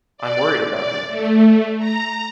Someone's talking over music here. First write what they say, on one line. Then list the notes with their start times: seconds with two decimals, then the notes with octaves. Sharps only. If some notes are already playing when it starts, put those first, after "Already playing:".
I’m worried about him.
0.17 D5
0.70 D5
1.07 A3
1.78 A#5